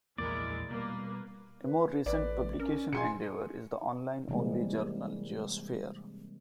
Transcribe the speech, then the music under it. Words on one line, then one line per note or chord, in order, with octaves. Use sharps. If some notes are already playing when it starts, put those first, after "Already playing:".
A more recent publication endeavor is the online-only journal "Geosphere".
A#1 E2 G#3 A#3 E4 A#4 D5
B2 G3 A#3 B4
B4
A1 B4 D5
C#4 A#4
B2 G#4 G#5 C6 C#7
C3 E3 G3 G#3 A#3 C4